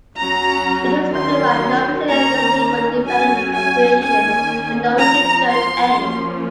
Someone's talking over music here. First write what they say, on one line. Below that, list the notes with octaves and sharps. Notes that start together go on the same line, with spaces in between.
It is funded by Norwegian Agency for Development Cooperation, and Norwegian Church Aid.
F#3 C#4 A#5
D#3 F#3 C#4 C6
D#3 A#3 C#4 A#5
F#3 C#4 G#5
G#5
D#3 A#3 C#4 G#5
F3 C4 A#5
C6
F3 A#3 C#4